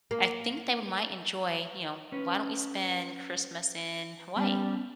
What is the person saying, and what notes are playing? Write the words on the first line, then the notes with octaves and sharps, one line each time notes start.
I think they might enjoy, you know, "Why don't we spend Christmas in Hawaii?"
A#3
C#4 B4 C#5
G3 B3 C#4